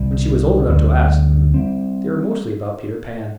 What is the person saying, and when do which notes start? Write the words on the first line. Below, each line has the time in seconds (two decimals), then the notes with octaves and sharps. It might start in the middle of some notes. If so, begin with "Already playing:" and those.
When she was old enough to ask them they were mostly about Peter Pan.
Already playing: C2 C3 G3
0.69 D2 D3 G3
1.54 G3 C4